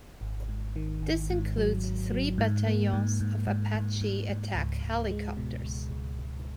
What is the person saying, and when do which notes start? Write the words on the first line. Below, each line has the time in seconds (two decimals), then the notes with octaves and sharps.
This includes three battalions of Apache attack helicopters.
0.21 G#1
0.49 G#2
0.76 D#3
1.02 G#1
1.30 G#2
1.58 F#3
1.84 F#3
2.12 F#3
2.38 G#2
2.66 A#3
2.93 G#2
3.20 G#2
3.47 G#2
3.75 G#2
4.01 G#2
4.29 G#2
4.55 C#2
4.84 C#2
5.11 G#3
5.37 B2
5.64 C#2
5.91 C#2
6.19 C#2